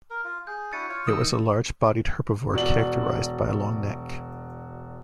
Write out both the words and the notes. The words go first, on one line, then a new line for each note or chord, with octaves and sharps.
It was a large-bodied herbivore characterized by a long neck.
A#4
F4
G#4 G6
D4 E4 F#4 A6 C#7 D#7
F4 C#5
D#3 D#5 D#6 E6
E1 F#4 D5 F#7